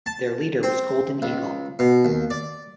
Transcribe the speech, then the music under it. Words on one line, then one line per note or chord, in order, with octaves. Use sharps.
Their leader was Golden Eagle.
A5
C4
C#2
B2
D#2
D5